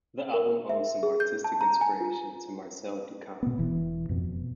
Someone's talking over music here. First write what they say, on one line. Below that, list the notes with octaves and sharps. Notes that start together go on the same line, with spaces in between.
The album owes some artistic inspiration to Marcel Duchamp.
A#4
E5
G#4
G6
A5
A#5
G#5
F4
B2 B3
E1 E3
F2 B2